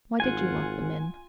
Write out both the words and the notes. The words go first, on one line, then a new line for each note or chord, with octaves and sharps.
Why did you lock them in?
G#1 F4 F#5 G#5